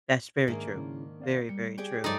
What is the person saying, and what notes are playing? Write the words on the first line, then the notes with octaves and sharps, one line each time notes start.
That's very true. Very, very true.
G#2 D#3 A#3 D4 G#4 E5 G#5
C#3 C#4 E4
C4 D5 F5
G3 C#7
G4 G#4 D5
G2 F3 A3 D#4 C#5 D5